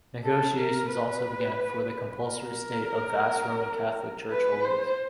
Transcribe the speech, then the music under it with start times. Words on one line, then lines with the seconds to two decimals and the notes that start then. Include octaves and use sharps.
Negotiations also began for the compulsory sale of vast Roman Catholic Church holdings.
0.24 A4
0.58 A#4
0.91 B4
2.27 A#4
4.31 B4
4.64 C5